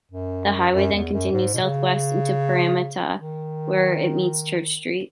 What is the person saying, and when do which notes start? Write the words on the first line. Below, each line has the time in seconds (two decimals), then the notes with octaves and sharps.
The highway then continues south-west into Parramatta where it meets Church Street.
0.12 F#2
0.72 F#2
0.93 E2
1.13 F#2
1.32 G#2
1.54 B2
1.63 C#3
3.16 D#3